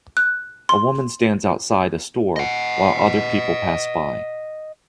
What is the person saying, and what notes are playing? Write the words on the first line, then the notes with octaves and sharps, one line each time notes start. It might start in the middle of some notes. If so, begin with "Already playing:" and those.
A woman stands outside a store while other people pass by.
F#6
C6
D#5 F#5